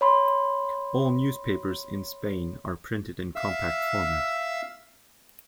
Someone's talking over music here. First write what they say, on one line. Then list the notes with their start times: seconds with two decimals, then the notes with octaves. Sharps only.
All newspapers in Spain are printed in compact format.
0.01 C#5 B5 C6
3.36 E5 F5 E6